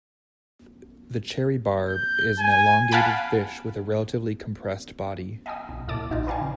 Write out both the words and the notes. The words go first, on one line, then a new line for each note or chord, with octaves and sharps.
The cherry barb is an elongated fish with a relatively compressed body.
G6
G#5
F5 F#5 G#5 A5 B5 D7
D#5 F5 G5 G#5 D#6
B1
C#2 A#2 E4 A5 D6
A#1 D#4 F4
B4 D5 F5 G5 G#5
C#3